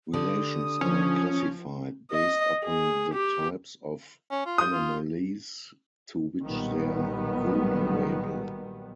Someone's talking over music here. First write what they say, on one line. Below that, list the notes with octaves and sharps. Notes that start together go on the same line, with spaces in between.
Relations are classified based upon the types of anomalies to which they're vulnerable.
D3 G4 D5 D#6
F3 C#4
D#5
G#4
G4
C#4
F4
D#6 G6
F4
B1 A#2 D#3 F#3 G3 B3